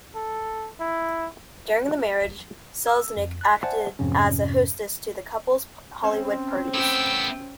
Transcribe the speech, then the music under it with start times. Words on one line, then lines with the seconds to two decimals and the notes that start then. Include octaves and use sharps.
During the marriage, Selznick acted as a hostess to the couple's Hollywood parties.
0.15 A4
0.80 E4
2.87 E6
3.17 F2
3.41 F#6 B6
3.63 C5 D5 E5 F#5 G#5 A5
3.99 F2 G#2 C3 C#4
6.04 C4 C#4 C5
6.74 A2 B3 G5 E6